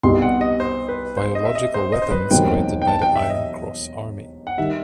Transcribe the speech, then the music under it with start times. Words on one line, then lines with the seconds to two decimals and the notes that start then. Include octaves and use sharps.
Biological weapons created by the Iron Cross Army.
0.03 C2 B2 G3 D#4 C6
0.22 F#5
0.41 D#5
0.60 C5
0.89 B4
1.17 C5
1.35 D#5
1.45 E5
1.55 D#5
1.74 C5
1.92 D#5
2.02 C5
2.11 B4
2.30 E1 D#2 D#3 F#3 C4 G5
2.82 G5
2.87 A5
3.02 G5
3.16 E5
3.30 D#5
4.47 F#5
4.58 D#3 G3 D#4 E5